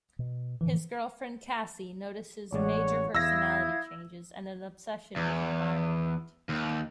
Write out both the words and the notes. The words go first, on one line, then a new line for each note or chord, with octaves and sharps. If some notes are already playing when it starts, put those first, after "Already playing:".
His girlfriend Cassy notices major personality changes and an obsession with environment.
B2
G#2 D3 E3 F3
A1 G#3 F#4 C#5 D5
E2 E4 F5 D#6 E6 G#6 A#6
E2
D#2